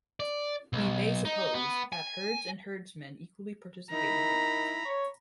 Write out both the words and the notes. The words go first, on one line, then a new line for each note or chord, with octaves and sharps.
We may suppose that herds and herdsmen equally participated in it.
D5
B1
D#4
B3
G#5
D#4 E4 A#4 A#5 B5
C#5